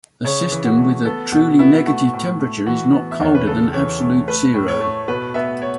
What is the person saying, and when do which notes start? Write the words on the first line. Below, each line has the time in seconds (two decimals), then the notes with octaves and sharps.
A system with a truly negative temperature is not colder than absolute zero.
0.25 C#3 C#5
0.52 E3
0.65 F#4
0.79 A3
1.05 B3 A4
1.32 B2 F#4
1.59 B3 E4
1.86 A3 F#4
2.13 A2
2.40 A3
2.66 E3 F#4
2.93 B3
3.11 E5
3.20 E2 C#5
3.35 B4
3.47 C#3 A4
3.74 E3 C#5
4.01 A3
4.28 A3 B4
4.54 A2
4.68 C#5
4.81 A3
5.08 B2 B4
5.34 B3 E5
5.62 C#5